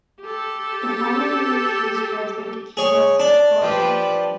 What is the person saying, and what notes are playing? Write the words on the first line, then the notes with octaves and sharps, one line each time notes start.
The following year she was transferred to Key West, Florida.
G4 A4
G#4 C#5
D4
F3 G4 B4